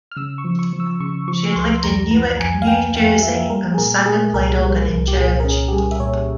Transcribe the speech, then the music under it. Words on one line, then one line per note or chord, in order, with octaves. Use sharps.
She had lived in Newark, New Jersey, and sang and played organ in church.
F6
C#3 E6
C#6
F3
C#6
F3
E6
C#3 C#6
F3 C#6
C#2 C6
F2 A#5
E3 A#5
F2 G#5
F5
A#3 G5
F2 F5
A#3 E5
G3 A#4
G#4
A#2 A#4
A#2 G#4
C2 A#4
G3
C2
G4
A#2 G#4
A#4
C#4 G#4
G4
G3 G#4
E5
A#2 C#5